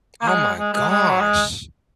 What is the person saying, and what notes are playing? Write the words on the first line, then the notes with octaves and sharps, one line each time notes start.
Oh my gosh.
A#3
G#3
G#3
G#3
G#3
F#3
G#3